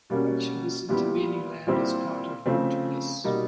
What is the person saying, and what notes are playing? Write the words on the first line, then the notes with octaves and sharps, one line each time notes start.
Much of this intervening land is part of Fort Bliss.
B2 G3 A#3 C#4
A#2 G3 B3 E4 G4
A#2 G3 C4 E4 G4
C#3 F3 A3 C4
B2 G3 A#3 D#4